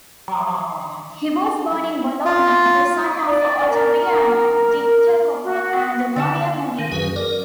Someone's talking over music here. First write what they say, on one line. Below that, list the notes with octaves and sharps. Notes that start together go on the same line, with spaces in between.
He was born in Bologna, the son of Ottaviano di Jacopo and Maria Maggi.
F4
D5
A#4
F#4
D3 D5 F#5 A5
D#3
F#2 F#4 G#4 B4
A#4 D5